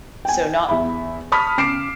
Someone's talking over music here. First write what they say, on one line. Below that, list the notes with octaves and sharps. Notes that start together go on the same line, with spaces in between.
So, not
G5 G#5
E2 E5 B5
A5 B5 C#6 D#6 F6 B6
C#3 D6 C7 D7 E7